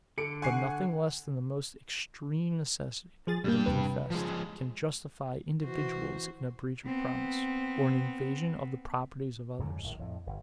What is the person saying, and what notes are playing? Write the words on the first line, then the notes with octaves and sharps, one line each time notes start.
But nothing less than the most extreme necessity, it is confessed, can justify individuals in a breach of promise, or an invasion of the properties of others.
D3 A4 C#7 D7
F#5 G#5 C#6 C7
F3 G#4 A6
G2 G3 A#3 G5
E2 C3 B4
F3 G#3
E3 F#4 C5
B3 C4
F2 G#2 D3 F#3
A#1 A2 D#3
F2 A2
G1